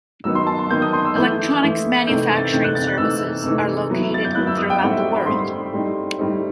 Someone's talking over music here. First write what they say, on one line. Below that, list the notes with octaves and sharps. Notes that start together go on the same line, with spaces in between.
Electronics manufacturing services are located throughout the world.
D#3 F#3 B3 D#4 E6
C6
A5
C6
D#3 F#3 B3 D#4 G6
D#6
C6
E6
E3 A3 E4 G6
E3 A3 E4
C3 E3 A3 C4 D#4 G6
G6
A6
C3 E3 A3 C4 D#4 G6
F#6
A6
F#6
C3 E3 A3 D#4 E6
C3 E3 A3 D#4
F#3 B3 E4
A6
G6
F#3 B3 E4 F#6
E6
D#6
G5
A2 G3 C4 D#4 F#5
E5
B5
A2 G3 C4 D#4 C6
A2 G3 C4 D#4
A2 G3 C4 D#4